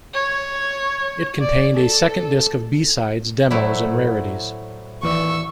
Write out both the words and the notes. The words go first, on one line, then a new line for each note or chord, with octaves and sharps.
It contained a second disc of B-sides, demos and rarities.
C#5
D5
A4
A2 F#3 E4 C5 D5
D#2 E3 D5 C#6 E6